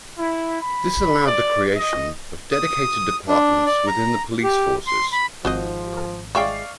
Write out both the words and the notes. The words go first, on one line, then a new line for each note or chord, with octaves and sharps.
This allowed the creation of dedicated departments within the police forces.
E4
B5
D5
D#5
D#6
D4
D5
A#5
G4
C6
B5
G#1 F3 F#4 C5 D#5
G#3 D5 E5 F5 G5 C#6